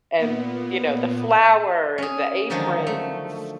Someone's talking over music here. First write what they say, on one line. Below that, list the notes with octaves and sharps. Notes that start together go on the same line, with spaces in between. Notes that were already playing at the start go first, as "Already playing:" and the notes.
and, you know, the flour, and the aprons.
A#2 B3
C#4 G#4
D3 D#3 F3 F#3 G#3 D#4
A3